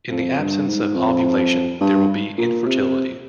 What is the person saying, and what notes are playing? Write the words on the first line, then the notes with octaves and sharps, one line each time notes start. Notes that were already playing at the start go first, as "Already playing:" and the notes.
In the absence of ovulation, there will be infertility.
F2
G2
G#2
F2
G2
A#2
C3